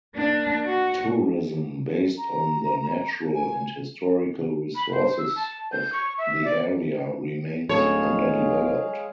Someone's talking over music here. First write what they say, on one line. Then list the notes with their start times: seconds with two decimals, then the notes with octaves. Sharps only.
Tourism based on the natural and historical resources of the area remains underdeveloped.
0.15 A#3 D4
0.65 F#4
2.18 A#5
3.35 G#5
4.75 B5
4.92 C5
5.18 E6
5.36 A5
5.72 G6
5.93 C#6
6.18 E5
6.45 D5
7.69 D1 F#3 G#3 G#4 A4 C#5 F5